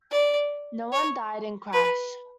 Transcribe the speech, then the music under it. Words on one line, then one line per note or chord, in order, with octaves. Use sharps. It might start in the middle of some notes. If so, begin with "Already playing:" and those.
No one died in crash.
D5
C#5
B4